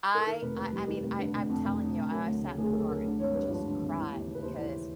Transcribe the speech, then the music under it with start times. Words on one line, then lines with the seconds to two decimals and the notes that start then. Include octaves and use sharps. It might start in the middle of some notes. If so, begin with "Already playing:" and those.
I I I mean, I I'm telling you, I I sat in the car and cr just cried because
0.15 A4
0.26 D#3 A#4
0.41 F1 B4
0.57 D#2 B4
0.73 G3
0.85 D#3 A#4
0.95 B4
1.03 F1
1.19 D3 B4
1.34 F1
1.49 F2
1.65 F1
1.81 D3
1.96 F1
2.11 F#3 A#4
2.26 D2
2.42 C#3
2.58 D2 G#4
2.72 F#3 A4
2.88 D2 A#4
3.04 D3
3.19 G#1 C#5
3.34 G2 B4
3.50 F3 C#5
3.66 D3
3.81 G#1
3.97 E3
4.12 D#2
4.28 C#3
4.34 B4
4.42 D#2 C5
4.58 E3